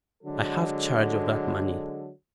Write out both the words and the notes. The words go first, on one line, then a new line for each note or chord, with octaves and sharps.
I have charge of that money.
D3 F#3 G#3 A4